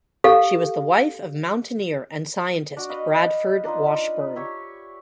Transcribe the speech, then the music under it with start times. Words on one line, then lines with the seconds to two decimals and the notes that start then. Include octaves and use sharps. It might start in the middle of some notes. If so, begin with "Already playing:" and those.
She was the wife of mountaineer and scientist Bradford Washburn.
0.24 G4 A4 F5
2.77 D4 F#4
2.89 B4 D#5 F5
3.16 B4
3.65 D4 D#4 F4 C5
3.87 B4
4.35 G4 C#5 E5 G5